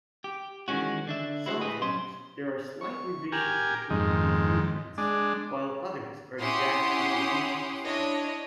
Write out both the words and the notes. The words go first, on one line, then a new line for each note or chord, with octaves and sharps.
Sometimes there are slight revisions between these reprints, while others are exact duplications.
G4
D#3 E3 G#3 C#4 F#4
D3 D4 E5
E4 F#4 C5
A2 G4 G#4 B4 D#5
B1 G2 G3 C#4 C5 C6
C#6
G4 A#4 G#5
F2 G#2 D#3
G#3 D4
C#4 E4 G4 F#5 C6 D#6
D4 E4 C#5 D#5